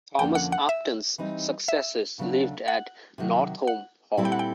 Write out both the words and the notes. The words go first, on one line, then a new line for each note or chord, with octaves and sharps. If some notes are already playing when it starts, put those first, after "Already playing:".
Thomas Upton's successors lived at Northolme Hall.
F2 D3 F3 A#3 C#4 G5
F#5
F#5
E5
E3 G3 C4 D#4
E5
D#2 C#3 F#3 A3 D4
F#5
C3 D#3 F#3
F#5
A#2 G3 C4 E4 A4
G5
F#5
G5